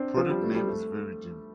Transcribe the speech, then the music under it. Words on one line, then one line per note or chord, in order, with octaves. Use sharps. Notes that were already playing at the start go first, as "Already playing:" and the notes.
Product name is Veregen.
Already playing: C4 D4
F3
G3
A3
G3
A3